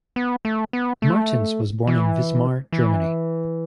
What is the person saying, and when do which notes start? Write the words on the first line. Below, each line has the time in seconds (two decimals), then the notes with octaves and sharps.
Martens was born in Wismar, Germany.
0.16 B3
0.45 A3
0.73 B3
1.02 A3
1.87 E3
2.72 E3